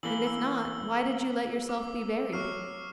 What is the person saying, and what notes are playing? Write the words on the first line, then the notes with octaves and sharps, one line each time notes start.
'And if not, why did you let yourself be buried?'
E3 A#3 B5 F#7 G7
E6
D6
F#3 C#6 F6 C7